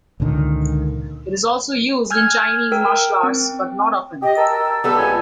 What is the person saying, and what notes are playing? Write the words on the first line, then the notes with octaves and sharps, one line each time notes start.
It is also used in Chinese martial arts but not often.
C#2 A#2 D3 D#3
G#5 E6 F6 G6 G#6
A#4 G5 E6
C4
G4 D#5
A#4 A5 E6
G3 B3 A4 B4 D6 E6
C#2 G#5